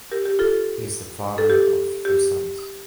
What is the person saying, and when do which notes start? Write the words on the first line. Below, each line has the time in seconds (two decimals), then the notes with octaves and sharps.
He is the father of three sons.
0.11 G4 A#4
0.25 G4
0.39 F4 A4
1.38 A4
1.50 G4
2.05 G4